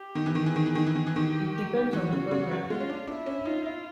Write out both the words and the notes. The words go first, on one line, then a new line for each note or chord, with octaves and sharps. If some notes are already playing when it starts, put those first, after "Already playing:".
It depends on the programme.
Already playing: G4
D#3
E3
D#3
G#4
E3
D#3
E3
D#3
E3
D#3
E3
D#3 G4
E3 F#4
C#3
C#3
F#3
G#3 F4
C#4
D4
D4 E4
C#4
D#4 F4
E4